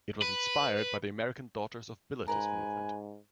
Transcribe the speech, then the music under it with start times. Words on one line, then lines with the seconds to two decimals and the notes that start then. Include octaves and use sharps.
It was inspired by the American Daughters of Bilitis movement.
0.22 B4
2.28 G#2 A#4 B4 G#5